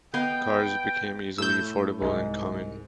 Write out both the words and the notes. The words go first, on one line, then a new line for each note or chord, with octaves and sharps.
Cars became easily affordable and common.
B3 D#5 F5 G5
A2 A3 E6 G6
C2 G#2 G#3